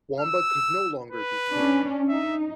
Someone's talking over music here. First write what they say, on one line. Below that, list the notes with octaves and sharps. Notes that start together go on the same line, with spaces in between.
Wamba could no longer be king.
E6
B4
C#4 D4
D#4 E5